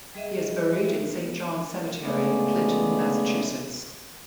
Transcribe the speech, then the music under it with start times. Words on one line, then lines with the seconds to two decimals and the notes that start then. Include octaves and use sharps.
He is buried in Saint John's Cemetery, Clinton, Massachusetts.
0.15 G3 G#4 D#5 E5
2.02 C#3 G#3 A3 B3 G#4 D5